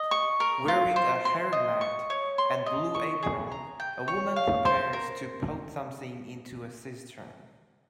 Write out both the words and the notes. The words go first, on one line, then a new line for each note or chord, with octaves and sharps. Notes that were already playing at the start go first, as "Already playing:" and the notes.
Wearing a hairnet and blue apron a woman prepares to pout something into a cistern.
Already playing: D#5
C#6
A#4
F4
C5
C6
D#5
C#6
C#5
C6
D#5
C#6
G#4
A#5
G5
C#5
F5
C5
A#4